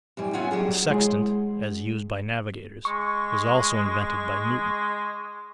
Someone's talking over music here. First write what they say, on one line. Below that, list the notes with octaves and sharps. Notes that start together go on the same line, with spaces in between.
The sextant, as used by navigators, was also invented by Newton.
F#2 E3 G3
B3 C#4 F4 E5 F#5 G#5
F#3 G3 G#4
G#3 E4 G#4 C#5 F#5 C6
G#3 C#6